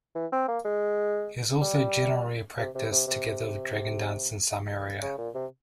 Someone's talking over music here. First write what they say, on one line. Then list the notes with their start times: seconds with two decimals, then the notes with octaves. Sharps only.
It is also generally practised together with Dragon dance in some area.
0.15 E3
0.32 C4
0.48 A#3
0.65 G#3
1.61 G3
2.58 C3
2.75 C3
2.92 C3
3.07 C3
5.02 C#3
5.18 A#2
5.35 C3